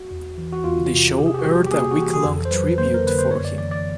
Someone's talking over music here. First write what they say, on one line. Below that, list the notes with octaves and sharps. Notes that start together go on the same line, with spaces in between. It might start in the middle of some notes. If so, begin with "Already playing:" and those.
The show aired a week-long tribute for him.
Already playing: F#4
E2
E3
F#4
E2 F4
C3
C3 G4
G#4
G4
F#4
G3 G4
G4
A#3 G#4
F#4
E3 G4
G#4
F2 A4
C5
F#3 B4
A#3 C5
A#4
D3 B4
C5
F#2 C#5
D5
E3 D5
D5